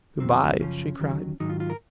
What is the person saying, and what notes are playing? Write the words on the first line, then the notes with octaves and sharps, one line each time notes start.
"Good-bye!" she cried.
F2 C3 D#3 F#3 C4
F#2 C#3 F3 C#4
D#2 D#3 F#3
G#2 D#3 F#3 D#4
F4
F4
A#4